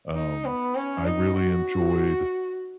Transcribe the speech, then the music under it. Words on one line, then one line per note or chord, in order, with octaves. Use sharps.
um, I really enjoyed.
D#4
B3
C#4
D#4
F#4